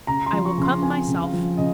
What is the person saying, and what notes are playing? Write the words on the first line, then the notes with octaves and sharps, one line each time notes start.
"I will come myself."
C#3 A#5
C6
F3
C#6
C#3
C6
C4 G#5
C#3
F5
F3
C#3 D#5